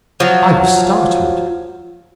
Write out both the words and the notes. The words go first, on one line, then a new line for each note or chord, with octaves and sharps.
I was startled.
F3 F#3